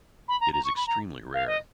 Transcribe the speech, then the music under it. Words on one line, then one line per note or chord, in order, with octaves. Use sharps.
It is extremely rare.
B5
A#5
A#5
C#6
B5
A#5
F5
D#5